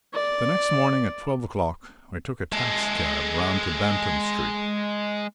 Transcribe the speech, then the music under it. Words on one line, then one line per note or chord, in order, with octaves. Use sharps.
The next morning at twelve o'clock I took a taxi-cab round to Banton Street.
D5
G#3 A4